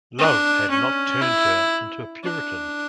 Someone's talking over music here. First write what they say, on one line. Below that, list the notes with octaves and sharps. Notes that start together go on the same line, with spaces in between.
Love had not turned her into a Puritan.
D4
C#4
E4
D4